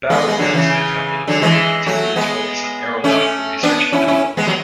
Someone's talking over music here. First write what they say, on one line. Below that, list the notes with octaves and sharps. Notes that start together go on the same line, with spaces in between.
BuAer downsized after the war, but continued its focus on aeronautical research and development.
G#3 B3
G#3
D3 F#3
C#3 E3
D3 F#3
E3 G#3
F#3 A3
G#3 B3
A3 C#4
B3 D4
C#4 E4
C#4 E4
G#3 B3
F#3